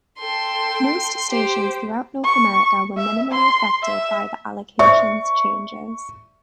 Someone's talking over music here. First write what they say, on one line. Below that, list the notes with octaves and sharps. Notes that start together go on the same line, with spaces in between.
Most stations throughout North America were minimally affected by the allocations changes.
A4 G5 C6
G4 C5
C#6
E5
C6
E5
C5 D5 E5 C#6